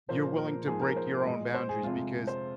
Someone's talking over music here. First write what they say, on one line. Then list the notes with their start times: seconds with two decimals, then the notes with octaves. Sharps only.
you're willing to break your own boundaries because
0.09 A#2 F3 A#3 C5
0.38 A#4
0.67 G#2 F3 A#3 G#4
0.81 A#4
0.96 C5
1.25 A#2 G#3 D#5
1.54 C5
1.69 G#4
1.83 F2 C3 G#3 F4
2.27 C5